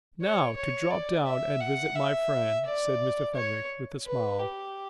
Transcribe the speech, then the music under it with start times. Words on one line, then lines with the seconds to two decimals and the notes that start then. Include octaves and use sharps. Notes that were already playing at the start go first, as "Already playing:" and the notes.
"Now to drop down and visit my friend," said Mr. Fenwick, with a smile.
0.22 C#5
0.56 C#5
0.91 D5
1.26 E5
1.61 F#5
1.95 E5
2.65 D5
3.35 C#5
4.05 B4
4.40 G4